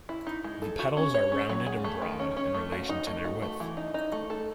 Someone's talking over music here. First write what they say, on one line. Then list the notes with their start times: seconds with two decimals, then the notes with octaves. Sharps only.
The petals are rounded and broad in relation to their width.
0.09 E4
0.27 D#4
0.44 G#3
0.62 A4
0.79 F#4
0.97 C#4
1.14 C#5
1.32 C#4
1.50 F#3
1.67 G#4
1.84 A3
2.02 D#3
2.19 C#4
2.37 C#4
2.54 A3
2.72 F#4
2.89 D#4
3.07 A3
3.25 F#4
3.42 A3
3.60 E3
3.77 D#4
3.94 D#4
4.12 A3
4.30 A4